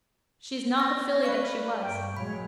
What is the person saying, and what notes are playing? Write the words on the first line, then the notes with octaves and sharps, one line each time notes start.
She is not the filly that she was.
C#6 A#6
B4 D5 F5 C#6
G2 G5
A#2 F#3 G#3 C#5 B5